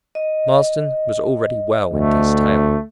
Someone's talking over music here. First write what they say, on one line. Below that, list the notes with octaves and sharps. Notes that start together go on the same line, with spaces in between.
Marsden was already well into his tale...
D#5
D2 A3